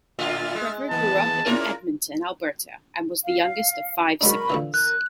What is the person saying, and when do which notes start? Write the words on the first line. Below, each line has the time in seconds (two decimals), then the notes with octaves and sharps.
Trevor grew up in Edmonton, Alberta and was the youngest of five siblings.
0.19 A2 D3 F4 E5 F6 A6
0.55 G#3
0.91 E3 B3 A5
1.46 C#4 E4 F4 A#4 D5
3.23 F5
4.21 F#3 G#3 D4 A#4 B5 C#6
4.50 A#2 D3 E3
4.74 A#4 F#6